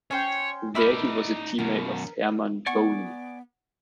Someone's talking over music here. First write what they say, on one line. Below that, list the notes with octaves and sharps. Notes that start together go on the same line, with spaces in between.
There he was a teammate of Herman Boone.
C#4 C5 C#5 G5
D#4 D5 E5 B5 F6
F#2 B2 A#4
B3 D5 F#5 G#5 C#6